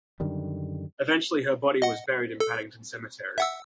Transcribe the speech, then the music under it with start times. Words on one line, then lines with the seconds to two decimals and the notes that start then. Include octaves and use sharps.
Eventually her body was buried in Paddington cemetery.
0.20 F#2 D3 D#3 G3
1.82 D#5 F#5
2.40 A4
3.38 E5 F#5 E6